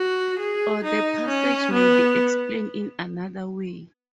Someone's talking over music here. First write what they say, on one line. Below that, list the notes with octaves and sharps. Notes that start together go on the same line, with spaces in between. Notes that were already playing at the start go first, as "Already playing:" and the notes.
Or the passage may be explained in another way.
Already playing: F#4
G#4
D#4
C#4
B3